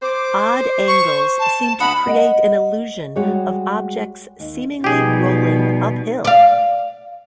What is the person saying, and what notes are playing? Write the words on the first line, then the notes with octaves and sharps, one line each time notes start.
Odd angles seem to create an illusion of objects seemingly rolling uphill.
C5 D6
C#6
A5
D2 D#5 F#5 B5
D#5 F#5
G3 G#3 F#4 G#4 C#5 F5
D#2
B2 F3 G3 D#4 G4 G#4
D5 F5